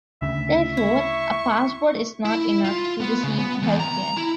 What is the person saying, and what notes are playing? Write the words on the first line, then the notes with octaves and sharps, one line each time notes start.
Therefore, a passport is not enough to receive health care.
D2 C#3 E5
E4 C#6
E4
F4
B3
C#3
B3
E2
A#5
E4